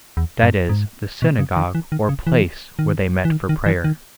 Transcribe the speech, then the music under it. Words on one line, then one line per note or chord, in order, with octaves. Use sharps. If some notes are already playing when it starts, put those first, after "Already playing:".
That is, the synagogue or place where they met for prayer.
E2
G2
G#2
B2
C#3
D#3
E3
D#3
C#3
E3
D#3
E3
D#3
D#3
E3
D#3